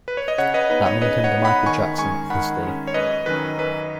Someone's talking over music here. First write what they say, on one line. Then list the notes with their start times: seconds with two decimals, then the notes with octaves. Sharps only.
That made him the Michael Jackson of his day.
0.08 B4
0.17 C#5
0.28 D#5
0.38 C#3 C#5 F#5
0.54 B4 D#5
0.69 B3 D#4 B4
0.86 C#5
1.02 C#3 B4 D#5
1.24 C#5 F#5
1.34 B3 D#4
1.45 F#5 B5
1.66 D#3 G#5 C#6
1.98 G#3 C#4 G#5 C#6
2.30 D#3 F#5 B5
2.62 G#3 C#4
2.87 C#5
2.94 F#2 B4 D#5
3.26 D#3 F#3 C#4 B4
3.59 F#2 B4